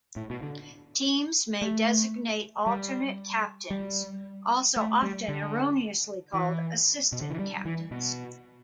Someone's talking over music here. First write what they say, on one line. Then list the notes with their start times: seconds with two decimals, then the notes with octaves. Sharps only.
Teams may designate alternate captains, also often erroneously called "assistant captains".
0.16 A2
0.30 B2
0.42 D3
1.62 A3
2.66 G3
3.70 G3
4.76 A3
5.02 G3
5.28 D3
6.34 E3
7.12 B2
7.21 D3
7.30 E3
7.39 G3
7.65 E3
7.91 B2